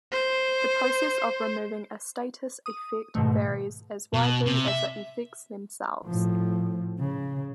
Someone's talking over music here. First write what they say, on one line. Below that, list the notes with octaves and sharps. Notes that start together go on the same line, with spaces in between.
The process of removing a status effect varies as widely as the effects themselves.
C5
D#6
G#2 B2 D#3 A3
B2
C3
E5
A2 F3
C#3